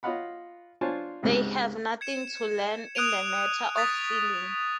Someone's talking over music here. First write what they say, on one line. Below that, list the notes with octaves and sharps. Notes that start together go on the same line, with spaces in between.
They have nothing to learn in the matter of feeling.
F4 C#5 D#5 F5 F#5 B5
D4 F4 C5 C#5 G#5 A5
C#2 G#2 C3
G#6 C#7 E7
D#6 F#6 G#6 D7 D#7 F7
C#6 D#6 F#6 A6 B6